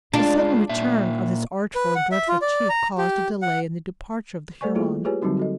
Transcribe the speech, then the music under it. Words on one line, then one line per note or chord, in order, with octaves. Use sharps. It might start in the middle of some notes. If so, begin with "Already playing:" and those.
The sudden return of this artful and dreaded chief caused a delay in the departure of the Huron.
G#3 D4 F4
A#2 E5
B4
F#5
E5
F4
D5
A#5
G4
F#5
A3 A4 C5 D5 G#5 C#6
G3 A#3 E4 F4 G#4 A4
F4 G4 G#4 B4 C#5 G#5
D3 F#3 G3 C4 D#4 F#4
F#4 A4 D#5